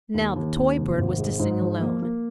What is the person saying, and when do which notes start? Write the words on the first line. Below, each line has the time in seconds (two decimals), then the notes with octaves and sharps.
Now the toy bird was to sing alone.
0.14 D#2
0.36 D#2
0.56 D#2
0.78 F1
0.98 G#1
1.18 G#3
1.39 G#2
1.61 F3
1.81 A#3
2.02 A#3